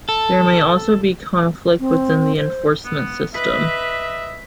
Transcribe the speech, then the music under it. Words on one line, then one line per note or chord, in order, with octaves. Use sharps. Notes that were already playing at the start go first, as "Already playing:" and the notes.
There may also be conflict within the enforcement system.
A4
C4
C5
B3
B4 D#5 E5 B6